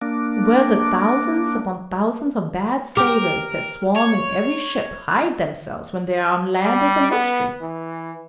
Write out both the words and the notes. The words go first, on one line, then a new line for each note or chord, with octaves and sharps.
Where the thousands upon thousands of bad sailors that swarm in every ship hide themselves when they are on land is a mystery.
A#3 D4
G4 A#4
C#5
G3
B3
E3